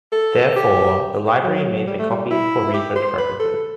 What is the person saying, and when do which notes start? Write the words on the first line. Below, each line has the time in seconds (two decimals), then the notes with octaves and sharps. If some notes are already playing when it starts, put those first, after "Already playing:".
Therefore, the library made the copies for research purposes.
0.12 A4
0.56 G4
1.43 F#3
1.87 G3
1.99 A3
2.11 G3
2.30 E4
2.74 G4
2.96 C5
3.18 B4
3.39 A4